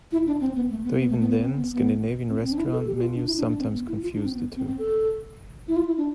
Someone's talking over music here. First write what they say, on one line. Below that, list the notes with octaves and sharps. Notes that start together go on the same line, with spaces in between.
Though even then, Scandinavian restaurant menus sometimes confuse the two.
E4
D4
C4
B3
A3
B3
B3
A3
B3
B3
C4
B3
B3
C4
C4
D4
E4
A4
G4
G4
F4
D4
E4
D4
D4
C4
B3
E4
F4
D4
C4
B3
C4
C4
A4
E4
F4
E4
D4